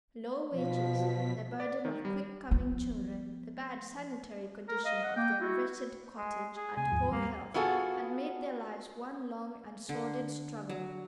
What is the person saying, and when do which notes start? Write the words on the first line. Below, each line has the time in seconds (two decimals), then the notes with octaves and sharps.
Low wages, the burden of quick-coming children, the bad sanitary conditions of their wretched cottage, and poor health, had made their lives one long and sordid struggle.
0.52 B2 F3 B6
1.60 D5
1.85 D#3
2.05 G3
2.51 F3 B3
4.69 A#4
4.85 D#5 F5
5.04 F#5
5.16 A#3 G5
5.40 E4 F#4
6.17 G#3
6.56 G#4
6.77 C3 G#5
6.92 D#2 G#2 F3
7.12 G3 A#3
7.54 B3 F4 F#4 G#4 A4
9.89 D3
10.69 F#3